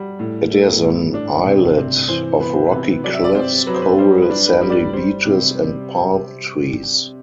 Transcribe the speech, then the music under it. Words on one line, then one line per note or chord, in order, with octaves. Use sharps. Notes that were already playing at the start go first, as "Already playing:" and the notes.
It is an islet of rocky cliffs, coral sandy beaches, and palm trees.
Already playing: G3 F#5
A2
A3
A2
D4
C3
C3
E3 C5
B3 B4
C3 B4
F#3 D5
E5
D5
C4 C5
F#3 B4
C5
B4
G3 C5
B4
D4
B4
G3
D5
G3 C5
C3